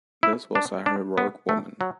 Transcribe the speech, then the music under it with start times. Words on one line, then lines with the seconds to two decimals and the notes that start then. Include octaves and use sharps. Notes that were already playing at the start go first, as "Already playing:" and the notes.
This was a heroic woman.
0.23 E4
0.55 D4
0.86 D4
1.18 B3
1.49 A3
1.81 F#3